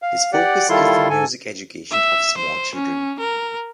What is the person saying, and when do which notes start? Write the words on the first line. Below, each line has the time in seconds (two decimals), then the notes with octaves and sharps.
His focus is the music education of small children.
0.02 F5
0.33 G4 D5 F#5
0.69 D#3 G3 E4 F4 A4 C6
1.10 G#2 A4 G#5
1.91 E5
2.37 C5
2.75 C#4
3.20 A#4